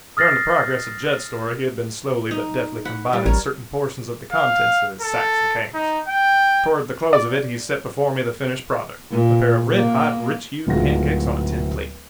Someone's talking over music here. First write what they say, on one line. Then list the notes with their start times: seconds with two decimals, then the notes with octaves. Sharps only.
During the progress of Jud's story he had been slowly but deftly combining certain portions of the contents of his sacks and cans. Toward the close of it he set before me the finished product--a pair of red-hot, rich-hued pancakes on a tin plate.
0.17 D#6 F6 A6 A#6 C7
2.31 D#4
2.85 F#5 B5
3.13 G3
3.26 A1 A#4 C#5
4.32 F5
5.02 A4
5.74 D#4
6.08 G5
7.13 D5
9.10 A#2
9.75 A#3
10.67 D1 D2 G#2 F4 F#4 A#6